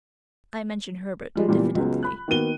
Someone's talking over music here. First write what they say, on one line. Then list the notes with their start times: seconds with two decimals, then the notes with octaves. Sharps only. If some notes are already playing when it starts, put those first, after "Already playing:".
I mentioned Herbert diffidently.
1.35 F3 G3 G#3
1.48 C#2 A#2 E3 G3 B3
1.75 C#2 F#3 G#3 B3
2.03 B5 F#6
2.28 D#3 A#3 B3 F#4 D#7 G7